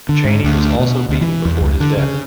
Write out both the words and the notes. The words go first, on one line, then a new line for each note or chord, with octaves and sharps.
Chaney was also beaten before his death.
D3
G#2
D2
B2
D2
E3
E2
C#2
D3
C#3